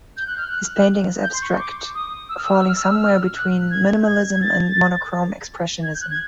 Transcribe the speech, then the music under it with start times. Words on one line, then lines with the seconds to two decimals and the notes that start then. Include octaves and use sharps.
His painting is abstract, falling somewhere between minimalism and monochrome expressionism.
0.17 G6
0.27 F#6
0.37 F6
0.48 F#6
1.23 G6
1.33 C6
1.42 C#6
1.59 D6
1.95 D#6
2.29 E6
2.37 F6
2.44 E6
2.53 F6
2.60 E6
2.69 F6
2.76 E6
2.83 F6
2.91 E6
3.00 F6
3.36 F#6
3.71 G#6
4.03 G6
4.07 G#6
4.33 G#6
4.42 A6
5.83 G#6
5.94 G6
6.01 F#6
6.10 G#6